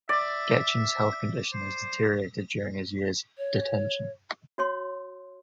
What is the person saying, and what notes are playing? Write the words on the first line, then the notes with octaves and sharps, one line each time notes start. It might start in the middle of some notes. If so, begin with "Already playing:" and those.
Gechem’s health condition has deteriorated during his years of detention.
D5 E5
C5
C#5
F#4 C#5 C6